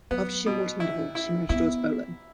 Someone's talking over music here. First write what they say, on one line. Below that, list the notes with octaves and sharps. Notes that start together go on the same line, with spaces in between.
After she and Waterman divorced, she married George Bowling.
F#3 B3
B2
E4
E4
B3 E4